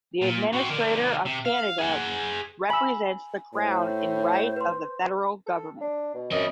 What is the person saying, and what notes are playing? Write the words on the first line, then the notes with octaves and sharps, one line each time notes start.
The administrator of Canada represents the Crown in right of the federal government.
A#2
C4 F#4
D3 A#4
C3
F5
G#4 F#5
G#5 B5 E6 F#7
A2 C5
B4 C6
A4
D4
B2
F#2 C4 D#5